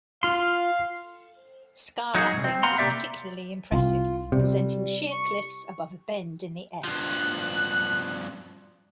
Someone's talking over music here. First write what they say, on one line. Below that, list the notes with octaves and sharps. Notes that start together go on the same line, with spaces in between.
Scar Lathing is particularly impressive, presenting sheer cliffs above a bend in the Esk.
F4 F5 C6
F#3 D#4 F#4 G#4
C2 G#2
C4
B3 F5 F#5 A#5 C6
C3 A#3 G4 D5 E5
C2 F4
C3 G3
C#6
G2 F3 F#6